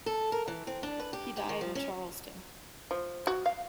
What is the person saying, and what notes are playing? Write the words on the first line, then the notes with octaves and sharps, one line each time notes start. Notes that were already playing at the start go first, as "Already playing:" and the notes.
He died in Charleston.
A4
A#4
E3
C4
D4
B4
G4
G4
D#3
F3
C#4
F3
F#4
F5